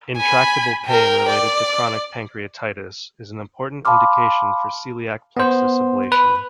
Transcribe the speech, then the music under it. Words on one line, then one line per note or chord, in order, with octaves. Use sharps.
Intractable pain related to chronic pancreatitis is an important indication for celiac plexus ablation.
G#5 B5
A#4 G5
D5
F5 A5 B5 C6 D6 F6
B3 C5
B4